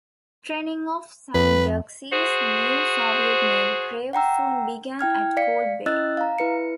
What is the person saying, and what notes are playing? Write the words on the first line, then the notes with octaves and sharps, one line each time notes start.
Training of "Sanduksy"s new Soviet Navy crew soon began at Cold Bay.
F2 B4
F#4 G#4 C5
F#5 G5 A#5 E6
E4 G5 F6 G#6
D5 F5 B6 C#7
C#4 E4 D#5 E6 F#6 A6
F5 A#5
E4 B4 C#7